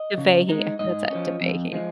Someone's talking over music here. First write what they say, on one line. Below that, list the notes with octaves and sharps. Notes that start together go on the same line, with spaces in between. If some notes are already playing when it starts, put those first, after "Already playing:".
Dhivehi, that's it, Dhivehi.
Already playing: D#5
C#3
G#3 D#4
G#2 D#5
F3 C#4
F2
F3 G#3